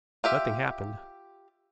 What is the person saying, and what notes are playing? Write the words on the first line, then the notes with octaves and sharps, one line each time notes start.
Nothing happened.
F4 G4 E5